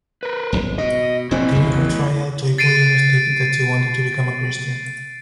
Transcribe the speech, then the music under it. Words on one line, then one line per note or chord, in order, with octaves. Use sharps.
During her trial, Toypurina stated that she wanted to become a Christian.
A#4 B4
D#1 G#1
B2 D#5
F1 A#2 C4 E4 D#5 G#5
A1 E2
A6 C7 D7 D#7